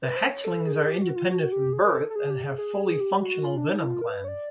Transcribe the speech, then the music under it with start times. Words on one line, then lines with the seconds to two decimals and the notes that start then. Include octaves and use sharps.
The hatchlings are independent from birth and have fully functional venom glands.
0.02 B4
0.16 C5
0.31 C#5
0.45 A4
0.67 G#4
0.88 G4
1.02 F#4
1.16 F4
1.31 F#4
1.52 G4
1.73 G#4
1.85 A#4
1.94 A4
2.10 A4
2.16 G#4
2.30 G4
2.44 G#4
2.58 G#4
3.00 G4
3.22 F#4
3.44 F4
3.57 D4
3.72 D#4
3.79 E4
3.86 F4
4.01 A#4
4.07 B4
4.24 C#5
4.28 D5